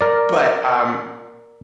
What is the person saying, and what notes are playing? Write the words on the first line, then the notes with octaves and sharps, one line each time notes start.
But, um,
A#4 D5